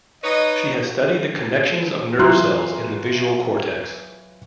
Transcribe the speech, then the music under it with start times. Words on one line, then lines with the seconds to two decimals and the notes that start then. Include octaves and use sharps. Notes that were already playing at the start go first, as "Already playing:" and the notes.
She has studied the connections of nerve cells in the visual cortex.
0.24 D#4 B4 C#5 D#5
2.19 E3 F#3 F4 A#5 C6 F#6